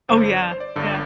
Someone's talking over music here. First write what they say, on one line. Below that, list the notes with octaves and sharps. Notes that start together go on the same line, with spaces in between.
Oh yeah, yeah.
G1 G2 D3 C5
D5
C5
D5
G1 G2 D3